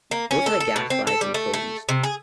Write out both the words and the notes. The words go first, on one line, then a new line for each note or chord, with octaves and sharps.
Most of the gas lies in Troll East.
A#3
C#4
A4
A4
B2
C4
A4
G3
A3
A3
C3
G#4